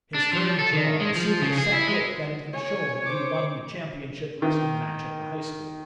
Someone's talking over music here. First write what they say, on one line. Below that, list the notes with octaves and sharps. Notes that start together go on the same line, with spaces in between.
His firm jaw assumed the set look that it had shown when he won the championship wrestling match at the high school.
D4
F3
A4
D#3
G#3
F3
C#3
G#4
E4
G#3
C#5 G#5
C5 D6
D#3